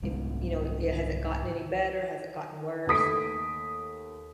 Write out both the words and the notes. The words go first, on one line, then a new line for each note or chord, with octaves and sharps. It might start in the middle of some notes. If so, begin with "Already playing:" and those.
if, you know, it has it gotten any better? Has it gotten worse?"
C2 G#2 G#3
D#2 A3 D#6 B6 D7